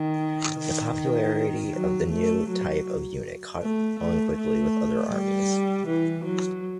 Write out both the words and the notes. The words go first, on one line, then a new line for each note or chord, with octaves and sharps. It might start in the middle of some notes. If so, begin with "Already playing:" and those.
The popularity of the new type of unit caught on quickly with other armies.
Already playing: D#3
D#3
F#3
A3
F#3
A3
A3
A3
G3
E3
F#3